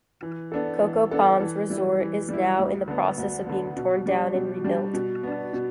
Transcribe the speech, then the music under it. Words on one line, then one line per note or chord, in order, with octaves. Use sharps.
Coco Palms resort is now in the process of being torn down and rebuilt.
E3
B3 D4 A4
E3
B3 D4 A4
E3
G3 E4
E3
G3 E4
D2
D3 B3
D2
D3 B3
B2
G3 D4 G4
B2
G3 D4 G4
B2
B3 D4
B2